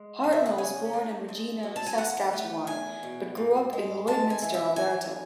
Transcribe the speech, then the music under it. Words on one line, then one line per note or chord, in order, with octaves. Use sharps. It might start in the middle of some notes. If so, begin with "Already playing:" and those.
Hartnell was born in Regina, Saskatchewan, but grew up in Lloydminster, Alberta.
Already playing: G#3
C#3
E5
F#5
C#4 G#5
A3
G#2
F#3
A5
G#5
E2 F#5
A3
E2 G#5
B2
G#2
G#3
G#2 A5
G#5
E3
E5
F#2 G#5